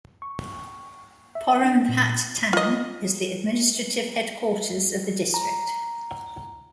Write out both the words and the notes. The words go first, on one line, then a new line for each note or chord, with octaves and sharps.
Porompat town is the administrative headquarters of the district.
C#6
E5
D4
A#2
F4 D#5
A#5